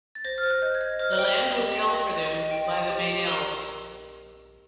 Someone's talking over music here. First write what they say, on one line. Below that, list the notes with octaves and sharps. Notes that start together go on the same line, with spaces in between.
The land was held for them by the Meynells.
A6
C5 A#6
F6
C5
F#6
D#5 G6
G#6
D#5
C5 F6
G5
D#5
G4
G5
D#5
D#5
D#5
G5
D#5
G4
G4
A#4 E6